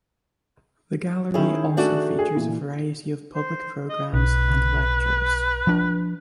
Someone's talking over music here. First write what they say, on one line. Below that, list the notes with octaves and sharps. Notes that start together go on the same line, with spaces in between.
The gallery also features a variety of public programmes and lectures.
D#3 C#4 E4 G#4
A3 D4 F#4
G#4
A#2 E3
C5
D#5
B1 B4
F3 D4